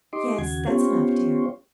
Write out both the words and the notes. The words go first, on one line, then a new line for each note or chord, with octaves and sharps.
"Yes, that's enough, dear."
D#4 G4 D#5 C6 D6
D#2 C#3 F#4 G#6
B3 C#4 F4 G4 C5 C#5